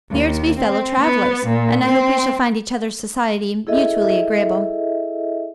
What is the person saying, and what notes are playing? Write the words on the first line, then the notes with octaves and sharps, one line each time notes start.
'We are to be fellow-travellers, and I hope we shall find each other's society mutually agreeable.'
D#2
C4
B3
A#2
C4
E4 G#4 A4 D#5 E5